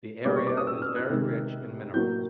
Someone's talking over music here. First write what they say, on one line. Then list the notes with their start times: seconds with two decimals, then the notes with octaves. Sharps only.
The area is very rich in minerals.
0.25 B2 G3 A#3 D6
0.36 C#6
0.47 D6
0.57 D#6
0.67 E6
0.82 F6
0.96 F#6
1.10 C3 D#3 G#3
1.94 A2 F#3 A#3 G6